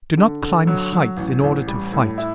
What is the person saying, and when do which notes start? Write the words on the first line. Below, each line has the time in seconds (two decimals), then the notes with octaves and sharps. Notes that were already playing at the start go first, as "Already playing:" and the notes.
Do not climb heights in order to fight.
0.17 D3
0.42 D3
0.67 F#3
0.93 F#3
1.17 A1
1.43 A1
1.68 G3
1.92 A2
2.18 E4